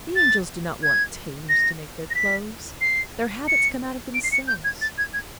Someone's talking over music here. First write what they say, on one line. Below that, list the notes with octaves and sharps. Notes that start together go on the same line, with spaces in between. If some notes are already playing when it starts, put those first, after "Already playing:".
The angels do not want tailors to make their clothes: their habits come out of themselves.
A6
G#6
A#6
A#6
B6
C7
C#7
D7
C7
C#7
G6
G#6
A6
G#6
G#6